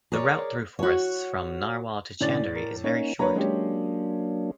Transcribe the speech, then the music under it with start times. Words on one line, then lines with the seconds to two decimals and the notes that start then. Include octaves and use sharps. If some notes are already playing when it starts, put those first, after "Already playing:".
The route through forests from Narwar to Chanderi is very short.
0.12 G#4 A#4 C#5 D5
0.79 F#4 C#5
2.21 A2 D3 C#4 D5 A6
2.56 A#4
2.84 A#3 C#4 D#4 C#5
3.19 F#3 A#3 D4 B4 C#5 A#5
3.36 G#3 C#4 G4